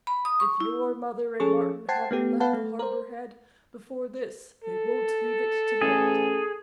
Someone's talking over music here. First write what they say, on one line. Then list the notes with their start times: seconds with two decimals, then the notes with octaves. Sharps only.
If your mother and Martin haven't left the Harbour Head before this, they won't leave it tonight.
0.07 B5
0.25 D#6
0.40 C#6
0.60 E4
1.40 F3 C#4 G#4 A4 C#6
1.89 C5 F#5 G5 A5 G#6 C7
2.11 A3 B3 G4
2.40 B3 B4 F5 F#5 A5
2.53 A3
2.79 A#4 C5
4.64 A4
5.81 A1 G#4